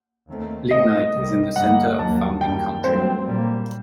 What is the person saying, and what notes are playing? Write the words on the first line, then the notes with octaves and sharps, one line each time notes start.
Lignite is in the center of farming country.
D#2 D#3 A3 C4
A#2 A3 C4 D#5
C2 C3 D#3 G3
G2 D3 G3 A#3 F#5
D#2 D#3 F#3 A#3 A5
F#2 D#3 G3 G5
G2 F#3 A3 C4 C5
A#2 G3 A#3